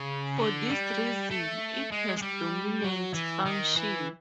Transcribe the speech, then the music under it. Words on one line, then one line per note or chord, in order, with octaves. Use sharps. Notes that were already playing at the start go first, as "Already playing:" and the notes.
For this reason, it has dominant function.
Already playing: C#3
D3
G3
A3
G#3
G#3
G3
F#3
E3
D#3
E3